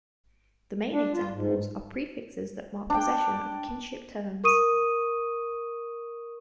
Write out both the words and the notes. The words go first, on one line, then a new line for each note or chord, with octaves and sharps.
The main examples are prefixes that mark possession of kinship terms.
D4
F4
G#2
D4 G5
A#4 C#6 D#6 D#7